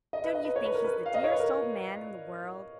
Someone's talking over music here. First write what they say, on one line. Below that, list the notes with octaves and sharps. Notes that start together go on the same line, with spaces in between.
Don't you think he's the dearest old man in the world?
D#5
B4
D#5
B4
C#5
B4
A#4
B4
F5
D#5
C#5
B4
A#4